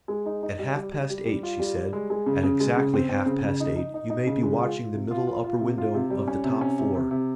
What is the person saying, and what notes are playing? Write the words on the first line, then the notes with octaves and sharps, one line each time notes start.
At half-past eight,' she said, 'at exactly half-past eight you may be watching the middle upper window of the top floor.
G#3
D#4
D#4
G3
G3
G3
G3
G3
F4
G3
G3
G#3
G#3
C#3
C#3
G#3
C#3
C4
C4
C#3
C#3
D#4
D#4
D#4
D#4
C#3
G#3
F4
F4
C3
F4
F4
F4
C3
F4
C3
G3
C#4
C3
C#4
C3
C3
C3